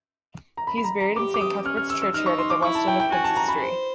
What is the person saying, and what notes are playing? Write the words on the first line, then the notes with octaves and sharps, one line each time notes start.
He is buried in Saint Cuthbert's Churchyard at the west end of Princes Stree.
A#5
B5
B5
A#5
A#5
G4 D6
D6
D#6
C#4 F6
F6
E6
E6
D#4 F6
C#6
C6
D6
E4 C#6
A5
G5
G5
F#4 G#5
A5
A#5
B5
C5